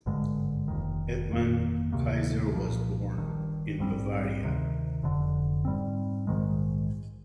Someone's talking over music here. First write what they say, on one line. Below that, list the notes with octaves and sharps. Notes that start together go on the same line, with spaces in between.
Edmund Kayser was born in Bavaria.
G#1 G2 D3 G#3
F1 D#2 D#3
G1 F2 D#3 A#3
D2 C3 D#3 A#3
C2 A#2 F3
G1 G2 D#3
A#1 G#2 G3 C4
D2 C3 D#3
F1 F2 D3
G#2 G3 C4
A#1 G#2 D#3 G#3